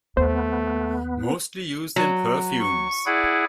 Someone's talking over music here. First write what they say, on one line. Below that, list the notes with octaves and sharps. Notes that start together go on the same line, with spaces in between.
Mostly used in perfumes.
D#2 A3 B3 C5
F#3
C#6
E4 G#4 D5 F#5